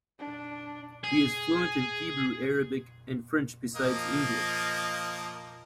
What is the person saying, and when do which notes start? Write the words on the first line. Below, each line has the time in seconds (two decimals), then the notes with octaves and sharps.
He is fluent in Hebrew, Arabic, and French, besides English.
0.19 D4
1.04 G#4
3.75 F3 A#3 D#5